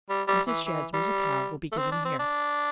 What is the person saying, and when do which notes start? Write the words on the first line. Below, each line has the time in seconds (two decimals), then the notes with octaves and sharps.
Mrs. Shadd's musicale will be given here.
0.09 G3
0.28 G3
0.47 E3
0.66 E3
0.94 G3
1.72 A3
1.77 C4
1.92 D4
2.05 C4
2.19 D4